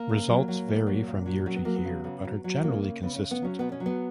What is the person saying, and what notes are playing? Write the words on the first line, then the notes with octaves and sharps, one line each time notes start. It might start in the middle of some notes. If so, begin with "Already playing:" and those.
Results vary from year to year but are generally consistent.
Already playing: A#3
C#3
F#3
F#3
A#2
F#3
A#2
F#3
F#3 C#4
B3
F#3 A#3
B3
C#3
C#3
F#3
F#3
C#3 A#3
C#3
C#3 B3
C#4
C#3
B3
F#3 C#4
B2 B3
C#4
F#3
B3